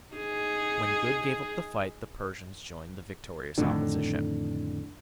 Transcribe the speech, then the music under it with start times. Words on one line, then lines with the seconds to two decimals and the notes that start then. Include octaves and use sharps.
When Good gave up the fight the Persians joined the victorious Opposition.
0.12 D#4 G#4
3.58 F2 A2 D3 D#3